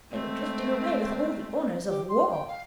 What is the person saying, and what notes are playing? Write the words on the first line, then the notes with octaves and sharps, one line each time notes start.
They were drifting away with all the honours of war.
G#3 A3 C4
G4
C6
G5
F5